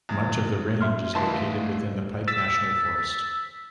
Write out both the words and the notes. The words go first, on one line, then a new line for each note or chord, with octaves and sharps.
Much of the range is located within the Pike National Forest.
E2
E5 C6 F6
E3 A3 D#5 F5 A5 C6
E6 A6 B6